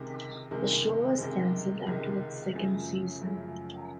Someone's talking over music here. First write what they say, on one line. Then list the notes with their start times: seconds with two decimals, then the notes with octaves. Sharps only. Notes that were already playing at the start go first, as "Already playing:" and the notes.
The show was cancelled after its second season.
Already playing: C#2 C3 D#3 G#3
0.51 C#2 C3 D#3 G#3
1.18 C#2 C3 D#3 G#3
1.86 C#2 C3 D#3 G#3
2.53 F#2 C#3 F3 A3
3.21 F#2 C#3 F3 A3